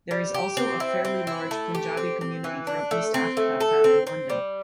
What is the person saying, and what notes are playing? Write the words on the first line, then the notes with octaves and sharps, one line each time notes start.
There is also a fairly large Punjabi community from East Africa found in London.
G3
G4
C4
E4
C4
E4
A3
G4
C4
C4
E3
D4
A3
C4
A3
A4
C4
C4
G3